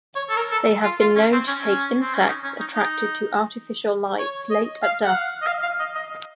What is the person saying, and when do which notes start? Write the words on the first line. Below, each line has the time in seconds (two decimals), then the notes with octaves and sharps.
They have been known to take insects attracted to artificial lights late at dusk.
0.16 C#5
0.29 A4
0.36 A#4
0.52 A4
0.83 F4
1.00 F4
1.15 C#4
1.32 C4
1.47 C#4
1.64 C#4
2.01 C4
2.14 C#4
2.28 D#4
2.43 C#4
2.60 D#4
2.75 D#4
4.19 C#5
4.51 D#5
4.83 F5
5.04 F#5
5.15 F5
5.42 D#5
5.47 F5
5.62 F5
5.79 D#5
5.95 D#5